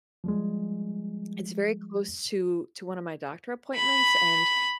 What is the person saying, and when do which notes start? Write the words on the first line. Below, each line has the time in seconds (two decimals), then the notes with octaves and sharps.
it's very close to to one of my doctor appointments and,
0.24 F3 G3 G#3
3.75 B5